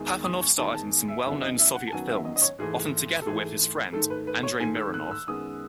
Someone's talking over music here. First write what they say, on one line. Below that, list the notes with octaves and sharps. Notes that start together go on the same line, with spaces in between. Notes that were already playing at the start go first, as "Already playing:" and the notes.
Papanov starred in some well-known Soviet films, often together with his friend, Andrei Mironov.
Already playing: E2 D#3 G#3
D#6
D#6
C#6
E2 D#3 G#3 A5
A5
E5
F#2 D#3 F#3 B3 E5
D#5
E5
F#5
A5
F#2 D#3 F#3 B3 G#5
E5
D#5
D#5
C#5
G#2 E3 A3 G#4
A4
G#2 E3 A3 G#4
G#2 D#3 A3 A4
B4
B4
C#5
G#2 D#3 A3 G#5
E6
F#6
E6
F#2 D#3 G#3 B3 D#6